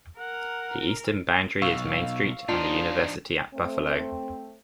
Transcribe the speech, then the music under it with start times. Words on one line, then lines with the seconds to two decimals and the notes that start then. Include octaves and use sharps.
The Eastern Boundary is Main Street and the University at Buffalo.
0.19 A#4 F#5
1.62 B1 F5 C#6 E6
2.49 F3 D4 D#4 F4
3.53 A3 C4